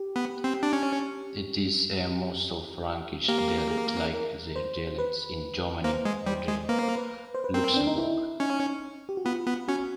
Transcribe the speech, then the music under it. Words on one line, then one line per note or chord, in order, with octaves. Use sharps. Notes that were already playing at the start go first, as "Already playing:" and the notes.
It is a Mosel-Frankish dialect like the dialects in Germany bordering Luxembourg.
Already playing: G4
B3
C4
D4
C#4
A#3 G4
G#4
A#4
C5
B4
A#3 C5
G#3
G3 C5
G#3
A#3 B4
C5
B4
C5
B4
C4 A#4
D4
D#4
E4
C#4 D#4
G4
F#4
B3 F4
B3
C#4 F#4